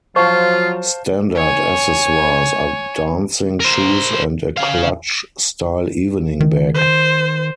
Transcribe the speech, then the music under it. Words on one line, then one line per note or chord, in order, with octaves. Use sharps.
Standard accessories are dancing shoes and a clutch style evening bag.
F3 F#3 F4 C5 F5 F#5 A5 C#6
C#5 G#5
A#4 C5
C#4 F5
D#3
C5